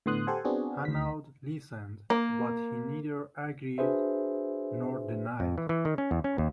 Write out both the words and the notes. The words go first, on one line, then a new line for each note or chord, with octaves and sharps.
Hanaud listened, but he neither agreed nor denied.
A2 D3 B3 C6 D#6 F#6
G4 A4 C5 F#5 G#5
B3 C4 D4 F#4 G#4
D2 B6
A#3
D4 F#4 G#4 B4 C5 E5
F2
E3
E3
D#3
C#4
E2
C#4
D#2